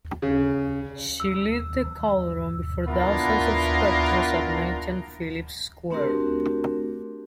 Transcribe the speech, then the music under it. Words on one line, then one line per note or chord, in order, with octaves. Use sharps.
She lit the cauldron before thousands of spectators at Nathan Phillips Square.
C#3
E6
A#3 B3 D4 E4 F4 A#4
A3 C4 D4 F#4 G4 A#4